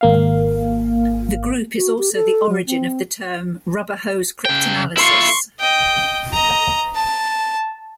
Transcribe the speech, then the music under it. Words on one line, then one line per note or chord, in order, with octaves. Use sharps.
The group is also the origin of the term, "Rubber-hose cryptanalysis".
G#1 A#3 F5
F#4
G4
A4
F#3
C4
C#3 G5
E4 F4 C6 C#6
D#5 G5
D#5 A#5
A5